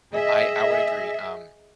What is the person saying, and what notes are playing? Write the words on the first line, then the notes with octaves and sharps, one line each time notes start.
I I would agree. Um,
G#4 D#5 E5